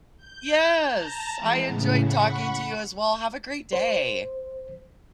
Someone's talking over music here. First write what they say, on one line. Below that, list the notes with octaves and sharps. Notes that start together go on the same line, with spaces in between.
Yes, I enjoyed talking to you as well, have a great day.
G6
A5 A#5
E3 G#3 B3
A2 C#3
F#5 B5 C#6
C5